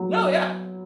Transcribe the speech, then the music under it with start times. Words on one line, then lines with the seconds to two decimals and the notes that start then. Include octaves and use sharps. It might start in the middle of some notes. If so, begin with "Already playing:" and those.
No, yeah.
Already playing: F#3 B3
0.20 B3